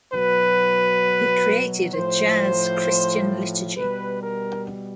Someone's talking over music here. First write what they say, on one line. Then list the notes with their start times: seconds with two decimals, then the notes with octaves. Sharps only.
He created a jazz Christian liturgy.
0.13 B2 F#3 B4
1.94 A2 F3 C5
3.76 B2 G3 B4
4.22 A#4